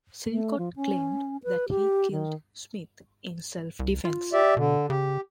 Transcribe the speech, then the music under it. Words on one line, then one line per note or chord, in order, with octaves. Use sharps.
Silcott claimed that he killed Smith in self defence.
A3
F3
C#4
B4
G4
D#3
C2
F4
G4 D5 E5
B2 D3
C#3 G4